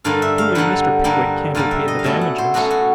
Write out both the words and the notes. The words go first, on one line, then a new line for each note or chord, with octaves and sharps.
Surely Mr. Pickwick can't have paid the damages.'
G2 D3 G3 A#3 F5
E5
F5
G2 D3 G3 A#3 F#5
G2 D3 G3 A#3
G2 D3 G3 A#3 F5
E5
D#5
F5
B2 F#3 A3 C#4 E5
F#5
C5
B2 F#3 A3 C#4 F#4
F#4